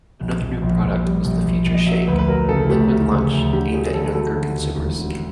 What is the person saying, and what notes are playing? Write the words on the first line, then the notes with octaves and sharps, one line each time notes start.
Another new product was the Future Shake, a "liquid lunch" aimed at younger consumers.
A#1
A#1
A#1
A#1
G3
A#1
A#1
A#1
D#5
F#3 E5
D2 B4
B4
F#3 A#4
C#3 A4
A3 G4
D2
C#3 G#4
D2
D3 G4
F#3 G#4
G#4
D3 A4
F#3 A4
D3
D#2
E1
D3